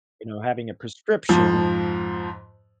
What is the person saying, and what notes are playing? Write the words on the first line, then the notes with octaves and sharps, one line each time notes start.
you know, having a prescription,
F2 G#2 F3